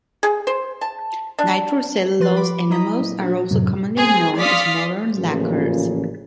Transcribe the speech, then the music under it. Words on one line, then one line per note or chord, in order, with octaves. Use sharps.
Nitro-cellulose enamels are also commonly known as modern lacquers.
G#4
C5
A5
D4
F3 B4 C6 F#6 A6
B5 D6
F#3 E4 D#5 A#5 D#6 B6
A#2
D4 F#4
F#2 A2 C3 F#3
C4 G#4
D5 F5 C6 D#6 B6 C#7
A1 A#2 C#3 E3 F3